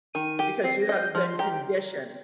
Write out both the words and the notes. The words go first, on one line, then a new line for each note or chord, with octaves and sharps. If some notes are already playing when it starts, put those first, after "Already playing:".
because you haven't been conditioned.
D#3 D#7
G4
C4 C7
A#6
D#5
G6
F3 F6
C6
G4 A#5
G5